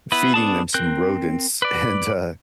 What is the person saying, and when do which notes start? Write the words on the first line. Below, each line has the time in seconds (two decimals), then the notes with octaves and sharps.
feeding them some rodents, and, uh
0.12 B3 E4 B4
0.34 B3 D4 G#4 A5
0.74 C4 A#4 F#6 G6
1.62 B4 D5